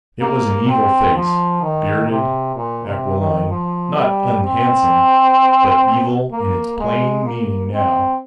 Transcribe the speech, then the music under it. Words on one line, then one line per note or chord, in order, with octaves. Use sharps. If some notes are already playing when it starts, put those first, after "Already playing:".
It was an evil face, bearded, aquiline, not unhandsome; but evil in its plain meaning now.
A#3
C4
F3
D#3
C3
A#2
C3
D#3
F3
G3
C4
A#3
G#3
A#3
C4